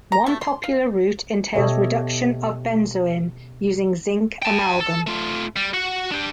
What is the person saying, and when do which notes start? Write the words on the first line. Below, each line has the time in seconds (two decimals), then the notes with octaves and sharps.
One popular route entails reduction of benzoin using zinc amalgam.
0.12 A#5
0.26 A3
0.41 C6
0.64 F5
1.54 B2 G4 A4 C#5 D#5 E5
4.42 G5 A5
4.80 A4
5.07 A3 F4
5.56 G3
5.74 F#4 F#5
6.11 D4 G4